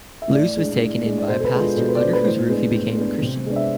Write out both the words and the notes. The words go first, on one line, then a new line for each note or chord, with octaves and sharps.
Luce was taken in by a pastor, under whose roof he became a Christian.
E5
A2 D5
G#3 D4
A2
G#3 D4
D5
B2 C5
A4
B4
G#3 D4
F4
B2 A4
B4
D5
G#3 D4 C5
B4
A2 C5
G#3 B3 D4
A2
G#3 B3 D4
C3
G#3 B3 D4
E5